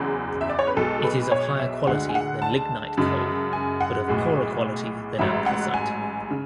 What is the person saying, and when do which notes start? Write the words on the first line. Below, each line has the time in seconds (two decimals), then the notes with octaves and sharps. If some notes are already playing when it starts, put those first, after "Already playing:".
It is of higher quality than lignite coal but of poorer quality than anthracite.
Already playing: F#1 E2 C#3 F#3 G#4
0.41 E5
0.49 D5
0.59 C#5
0.67 B4
0.77 B1 B2 G#3 A4
1.04 B4
1.32 C#5
1.59 E5
1.87 D2 D3 G#3 F#5
2.09 G#5
2.15 F#5
2.42 A5
2.97 F#2 C#3 G#3
3.53 G#5
3.81 F#5
4.08 B1 A2 G#3
5.18 A1 G#2 F#3 E5
5.46 F#5
5.74 G#5
6.31 C#3